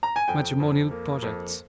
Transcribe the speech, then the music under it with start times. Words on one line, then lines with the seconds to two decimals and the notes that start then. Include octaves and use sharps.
Matrimonial Projects.
0.03 A#5
0.16 G#5
0.28 F2 G5
0.60 F2
0.91 A#3
1.22 F2